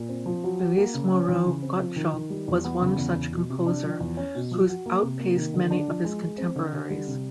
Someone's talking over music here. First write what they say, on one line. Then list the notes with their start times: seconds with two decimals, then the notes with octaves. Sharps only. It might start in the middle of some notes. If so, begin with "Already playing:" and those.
Louis Moreau Gottschalk was one such composer who outpaced many of his contemporaries.
Already playing: A#2
0.09 C4
0.26 F3
0.44 F#3
0.60 F#4
0.78 A#3
0.94 C#3
1.12 C#4
1.28 E3
1.46 C#3
1.62 C4
1.80 F3
1.96 D#3
2.14 D#3
2.30 G3
2.48 E2
2.64 B3
2.81 C#3
2.98 E2
3.15 E2
3.32 B2
3.50 C3
3.66 D4
3.84 F3
4.00 E2
4.17 C#4
4.35 B2
4.51 F3
4.69 F#4
4.86 A#3
5.02 C3
5.19 A#3
5.37 D#3
5.54 D3
5.71 D4
5.88 F3
6.05 G#3
6.22 G#3
6.38 C4
6.55 D3
6.73 D3
6.90 G3
7.07 C3